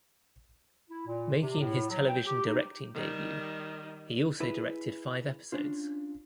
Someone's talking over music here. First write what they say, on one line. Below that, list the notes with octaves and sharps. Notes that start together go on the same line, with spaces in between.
Making his television directing debut, he also directed five episodes.
E4
A#2
C3
A2
F#3
G5
G4
D#4
D#3 G3
E4 G#4 B4
C#4 D4 F4